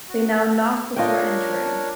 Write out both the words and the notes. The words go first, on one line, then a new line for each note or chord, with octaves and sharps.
They now knock before entering.
F#4
D4 F4 A#4 C#5 D#5 G5